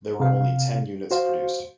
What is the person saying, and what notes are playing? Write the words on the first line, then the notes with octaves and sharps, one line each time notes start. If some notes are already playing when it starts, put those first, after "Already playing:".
There were only ten units produced.
C3 F5
F#4 C5 F5